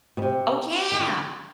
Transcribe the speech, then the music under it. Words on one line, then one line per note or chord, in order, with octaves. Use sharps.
Oh, yeah.
B2
C3
D#3
D3